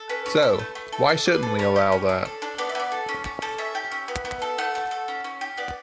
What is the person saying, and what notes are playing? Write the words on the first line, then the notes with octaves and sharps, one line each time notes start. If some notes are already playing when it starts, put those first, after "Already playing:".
So, why shouldn't we allow that?
Already playing: A4
C#4 B4
C#4
A4
A3
A3
A4
D4 A4
D4
B4
A4
C#4 C#5
G4
C#4
D4
A4
D4
B3 D5
E5
B3 D5
A4
C#4
C#4
A4
C#4 E5
G4
C#4
B3
B3
A4
A3 F#5
A3
A4
C#4
C#4
G4
B3 D5